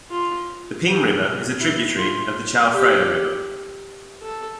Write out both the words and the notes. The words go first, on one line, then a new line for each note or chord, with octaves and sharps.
The Ping River is a tributary of the Chao Phraya River.
F4
G4
E4
F4
G4
A4